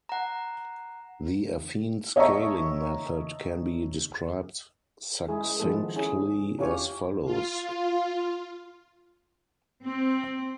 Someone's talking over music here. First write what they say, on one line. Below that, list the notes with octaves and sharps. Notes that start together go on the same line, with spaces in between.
The affine-scaling method can be described succinctly as follows.
F#5 A#5
C#5 D#5 E5 A5 A#5 C#6
G#3 E4 G#4
D#3 F3 G#3 B3 E4 A4
C#4 E4 G#4
C#4 E4 F4 G4 C#5
F4
C4